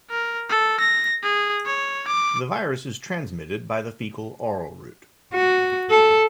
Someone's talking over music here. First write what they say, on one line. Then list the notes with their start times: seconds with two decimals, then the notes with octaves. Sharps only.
The virus is transmitted by the faecal-oral route.
0.10 A#4
0.49 A4
0.80 A#6
1.23 G#4
1.66 C#5
2.08 D6
5.34 F#4
5.90 A4